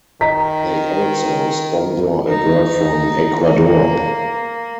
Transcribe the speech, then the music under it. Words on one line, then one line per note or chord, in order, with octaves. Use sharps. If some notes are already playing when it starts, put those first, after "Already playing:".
They also sponsor a girl from Ecuador.
D#3 D#5 A#5 B6
D#4
A#3